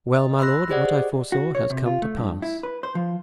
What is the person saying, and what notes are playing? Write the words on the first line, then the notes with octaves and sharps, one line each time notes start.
"Well, my lord, what I foresaw has come to pass."
D#5
B5 C6 E6 F#6 A#6
G4 G#4 C5 D5 D#5 F#5
F#4
C#5
C3
F4
A3
G2
E4
B4
C5
F3